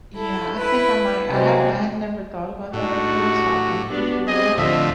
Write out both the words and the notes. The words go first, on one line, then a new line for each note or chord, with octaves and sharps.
Yeah, I think I might I have I had never thought about that before so I thank you for that,
E4 A4
E4 B4
C3 F#3 G#3 C4
A2 D4 D#4 F#4
G4
B3 D4 F#4
C4 G#4 D#5
D2 A2 F3 D#5 E5